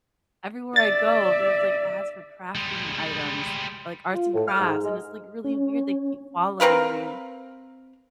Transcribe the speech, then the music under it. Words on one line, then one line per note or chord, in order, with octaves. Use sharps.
everywhere I go, there's, like, ads for crafting items, like arts and crafts, and it's, like, really weird. They keep following me.
D5 E5 A6
G3 G#3
F4
A2
F6
G#2
G#3
C#4
C4 A#4 B4 F5